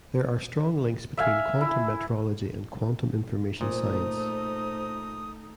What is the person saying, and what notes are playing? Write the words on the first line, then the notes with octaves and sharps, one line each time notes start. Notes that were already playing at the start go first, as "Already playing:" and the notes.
There are strong links between quantum metrology and quantum information science.
E5 F5 G#5
E4
A#2 A3 D#4 C5 D#6